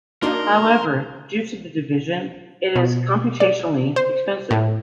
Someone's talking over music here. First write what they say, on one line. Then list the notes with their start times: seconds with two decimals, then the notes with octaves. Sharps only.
However, due to the division, it is computationally expensive.
0.22 A#3 D4 D#4 F#4 A#4 C6
2.76 B2
3.40 D5
3.96 C5
4.51 A2